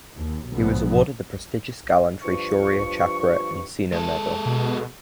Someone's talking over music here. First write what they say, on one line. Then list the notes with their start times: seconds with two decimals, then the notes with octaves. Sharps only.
He was awarded the prestigious gallantry Shaurya Chakra and Sena Medal.
0.15 D#2
0.50 B1 G#2 D3 F3 B3
2.23 G2 F3 C#6
3.93 G#3 A4
4.46 B2